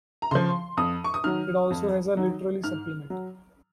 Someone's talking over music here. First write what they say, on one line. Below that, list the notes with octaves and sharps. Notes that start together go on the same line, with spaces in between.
It also has a literary supplement.
A#5
C#3 F3 C6
F2 D#6
C#6
D#6
D#3 F#3 F6
F2
D#3 F#3
G#2 F6
F#3